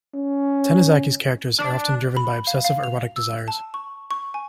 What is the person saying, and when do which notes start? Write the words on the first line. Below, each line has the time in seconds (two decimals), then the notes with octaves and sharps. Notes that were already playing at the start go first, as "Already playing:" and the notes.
Tanizaki's characters are often driven by obsessive erotic desires.
0.15 C#4
1.59 D4
2.17 B5
2.47 F5
2.64 F5
2.84 F7
3.16 E6
3.48 A5
3.74 C#6
4.11 C#6
4.34 G#5